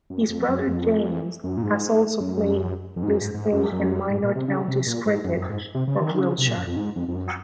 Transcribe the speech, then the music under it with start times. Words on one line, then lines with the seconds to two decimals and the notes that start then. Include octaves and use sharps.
His brother, James, has also played List A and Minor Counties cricket for Wiltshire.
0.10 F#2
0.29 F2
0.49 F#2
0.67 F2
1.44 F#2
1.57 A#2
1.63 G#2
2.20 F#2
2.96 F2
3.03 G#2
3.09 F#2
3.21 G#2
3.34 G#2
3.52 F#2
3.72 F#2
4.10 G#2
4.23 A#2
4.35 C3
4.48 C#3
4.68 C3
4.87 A#2
5.05 G#2
5.24 F#2
5.37 F#2
5.50 G#2
5.75 C3
5.88 C#3
6.00 D#3
6.15 D#3
6.19 C#3
6.38 C3
6.48 A#2
6.57 F#2
6.67 F2
6.76 G#2
6.96 F2
7.08 F2
7.15 F#2